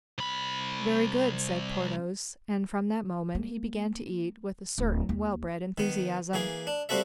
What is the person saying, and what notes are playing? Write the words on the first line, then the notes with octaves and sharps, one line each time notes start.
"Very good," said Porthos; and from that moment he began to eat with a certain well-bred enthusiasm.
C2 B5
A#3
D1
D#2
D#3 B3
E3 A#3 G#4
D4
G3 A#3 C4 F#4 A4 E5